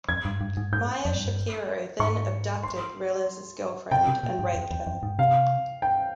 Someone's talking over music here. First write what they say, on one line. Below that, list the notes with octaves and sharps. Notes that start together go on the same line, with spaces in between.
Meyer Shapiro then abducted Reles' girlfriend and raped her.
F2 G#6
G2
G2
G#2
G#2 G6
F2
G2
G#2 C#6
C6
C3 G5
C3
A#2
G#2
F2
E2
F2
G#2
C3 F5
G5